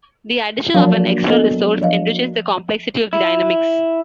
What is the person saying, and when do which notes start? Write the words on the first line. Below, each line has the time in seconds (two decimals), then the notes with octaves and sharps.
The addition of an extra resource enriches the complexity of the dynamics.
0.74 F3 F#3 A#3 D4 F5
1.30 B3 A4 D#5
1.82 F3 D#5 F5
3.13 E4